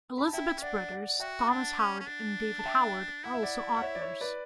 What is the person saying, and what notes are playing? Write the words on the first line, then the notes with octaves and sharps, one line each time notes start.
Elisabeth's brothers, Thomas Howard and David Howard, are also authors.
B5
A5
E4 E5 G5
C#4
D4 D5 F#5
D5 F#5
F#4 E5 G5
B5
D4 F#5 A5
C#4
C#4
D4
A5
E5 G5
E4 F#5
E5
D5 F#5
F#5
C#5 E5
D5
C#5 E5
B4 D5